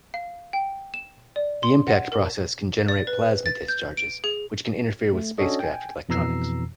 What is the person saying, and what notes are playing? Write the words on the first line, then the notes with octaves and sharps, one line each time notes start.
The impact process can generate plasma discharges, which can interfere with spacecraft electronics.
F5
G5
E7
D5
C6
F#5
A#4
D5
B4
A6
G6
D7
G#4
A3
C#4 D4 F#4 A4 C#5 D#5
G5 G#5
F2 B2 E3 A#5 E6 C7